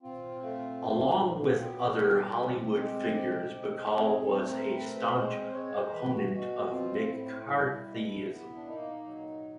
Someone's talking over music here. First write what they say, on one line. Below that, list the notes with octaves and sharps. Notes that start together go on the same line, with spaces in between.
Along with other Hollywood figures, Bacall was a staunch opponent of McCarthyism.
C4 F4
A3 F4
G2
F#3
B3 G4
G3
C4
G#3
C3
G#3
A4
C4 G#4
A4
A3
A#4
C4 B4
A#4
B4
G#3 C5
G#3 C#5
C5
A#4
E3 B4
G4
F#4
B2 F#4
C4 F4
A2 E4
G3
B2
B3
D4
A#3 D#4
F#3